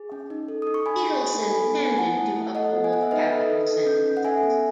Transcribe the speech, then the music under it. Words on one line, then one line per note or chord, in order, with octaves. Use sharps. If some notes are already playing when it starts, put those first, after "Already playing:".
Eagleson tended to uphold capital sentences.
Already playing: G#4
C#4
D#4
A4
D#4 D#6
C#6
D#4 G#5 B5
G#4
D#4
A4 G#5 B5
B3
B3
G#5
E4 F#5 A5
A3
A3
A4 D#5 F#5
B3
G#5
B3 F#5
E5
D#4 B4 D#5
A4
D#4
A4
C#4
C#4
F#5
A4 E5 G#5
B3